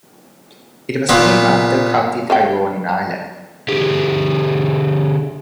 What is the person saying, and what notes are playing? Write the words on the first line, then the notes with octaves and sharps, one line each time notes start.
It was named after County Tyrone in Ireland.
A#2 B3
C5 F5 G5
D3 G4 G#4